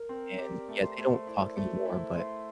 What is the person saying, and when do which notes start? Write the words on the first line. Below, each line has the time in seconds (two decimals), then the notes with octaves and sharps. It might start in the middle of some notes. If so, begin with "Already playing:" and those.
and yeah, they don't talk anymore, but,
Already playing: A#4
0.09 C4
0.38 G4 D5
0.68 A3
0.83 C5
0.98 A3
1.27 E4 D5
1.57 A3
1.86 E4
2.15 A3 C5